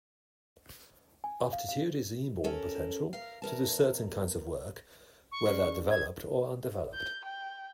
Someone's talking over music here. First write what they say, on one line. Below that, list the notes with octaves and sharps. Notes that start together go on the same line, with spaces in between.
Aptitude is inborn potential to do certain kinds of work whether developed or undeveloped.
G#5
F5
F5
C#4 A4 A#4
A#4 F5
E2 A#4 A5
C#6
G3 G#3 C#4
G#6
G6
G5